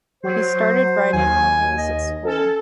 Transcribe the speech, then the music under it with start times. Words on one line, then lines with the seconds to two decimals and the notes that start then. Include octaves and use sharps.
He started writing while he was at school.
0.23 F#3 C5
1.13 D#2 G#5
1.78 D#5
2.25 C#4 A4